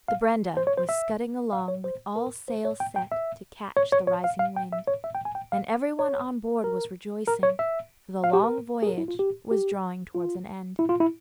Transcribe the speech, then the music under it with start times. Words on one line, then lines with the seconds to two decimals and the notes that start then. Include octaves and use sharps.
The Brenda was scudding along with all sail set to catch the rising wind, and everyone on board was rejoicing, for the long voyage was drawing towards an end.
0.08 F5
0.57 C5
0.67 C#5
0.77 C5
0.89 E5
1.53 F5
1.68 C#5
1.84 C5
2.16 A#4
2.48 C5
2.65 C#5
2.80 G5
2.96 G5
3.12 E5
3.77 C#5
3.92 C#5
4.07 C#5
4.24 F5
4.39 F5
4.56 G5
4.72 E5
4.88 C#5
5.04 E5
5.15 G5
5.25 G#5
5.35 G5
5.52 F5
5.99 C#5
6.64 A#4
7.28 A#4
7.43 C#5
7.59 E5
8.24 F5
8.33 G4
8.44 A#4
8.82 G#4
8.86 A#4
8.98 E4
9.08 F4
9.19 G4
9.51 G4
10.15 F4
10.79 E4
10.89 F4
11.00 E4